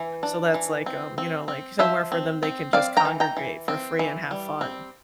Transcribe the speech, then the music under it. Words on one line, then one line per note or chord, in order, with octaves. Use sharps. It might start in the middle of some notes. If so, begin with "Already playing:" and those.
so that's like, um, you know, like, somewhere for them they can just congregate for free and have fun.
Already playing: E3
D4
E3
C4
C4
C4
F3 C5 E5
C4
C4
C4 D5 F5
G5 A#5
E3
G5 A#5
E3
C4
E3
G3
C4